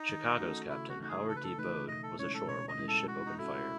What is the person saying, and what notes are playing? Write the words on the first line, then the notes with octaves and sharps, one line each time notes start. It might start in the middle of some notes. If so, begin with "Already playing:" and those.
"Chicago's" captain, Howard D. Bode, was ashore when his ship opened fire.
Already playing: D#4
D#3
A3 C#4 F#4 A4
C#3 E4
F#4
E3 A3 D#4 F#4
G#4
C#3 A4
B4
A4
E3 A3 D#4 B4
B2 D#5
A4
G#3 C#4 E4 C#5
A4
B2 C#5
D#5
G#3 C#4 E4
A4
G#3 F#4
D#4
C#4 E4 F#4 A4